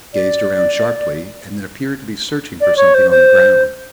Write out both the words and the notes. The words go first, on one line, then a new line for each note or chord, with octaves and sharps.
He gazed around sharply, and then appeared to be searching for something on the ground.
D5
D5
C#5
C5
C5